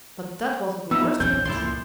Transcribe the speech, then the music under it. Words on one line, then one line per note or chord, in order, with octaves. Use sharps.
But that wasn't the worst of it!
F3 B3 D#4 E4 E6
A#1 E2 G2 C4 C#4 G6
C#2 G2 A#2 F3 A#3 E4 C6